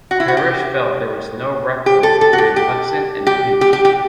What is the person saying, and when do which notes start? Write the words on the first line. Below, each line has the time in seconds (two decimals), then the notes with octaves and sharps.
Pirosh felt there was no rapport between Hudson and Peach.
0.11 F#4
0.20 E4
0.28 F#4
0.37 G4
1.86 G4
2.03 A4
2.21 A4
2.33 F#4
2.38 G4
2.56 G4
3.27 G4
3.61 G4
3.73 G4
3.85 G4